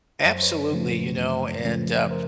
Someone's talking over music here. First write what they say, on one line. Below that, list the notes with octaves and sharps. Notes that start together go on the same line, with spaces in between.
Absolutely, you know, and, uh,
F#2 C#5
C5
B4 C#5
C#3 F3 A3
F#2
C#3 F3 A3
A#4 C5